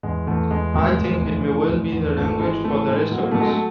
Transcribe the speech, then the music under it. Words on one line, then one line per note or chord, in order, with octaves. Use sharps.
I think it may well be the language for the rest of us.
E2 G#3
E2 A3
E2 G#3
F1 G#3
E2
F1
E3
F1
E2
G#1 A3
E3 G#3
E3 A3
A2 G#3
F#3
A#3
F#3 A3
G#3
A3